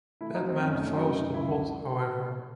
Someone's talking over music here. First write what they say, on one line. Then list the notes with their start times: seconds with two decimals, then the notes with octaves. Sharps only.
Batman foils the plot, however.
0.21 A3 E4
0.34 D#4
0.39 F#3
0.49 C4
0.59 F#2 C#4
0.77 A3 D#4
0.87 C#4
0.96 F#3 D#4
1.15 F#2
1.34 C#2 E4